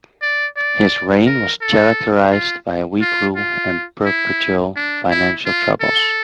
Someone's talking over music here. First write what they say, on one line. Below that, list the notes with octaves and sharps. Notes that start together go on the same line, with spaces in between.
His reign was characterized by weak rule and perpetual financial troubles.
D5
D5
A#4
A4
F4
F4
F4
E4
D4
E4
F4
A4